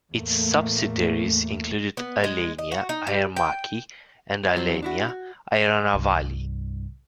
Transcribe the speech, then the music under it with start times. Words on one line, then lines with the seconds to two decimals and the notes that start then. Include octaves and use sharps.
Its subsidiaries included Alenia Aermacchi and Alenia Aeronavali.
0.11 E2 A2 A3 A#3
1.97 B3
2.24 G#3
2.58 D#5
2.72 F#4
2.89 D#4
3.07 G3
3.36 G5
4.57 F2 F#3 C4
4.82 D4 E4 F#4
5.09 F#4
5.94 C2 G2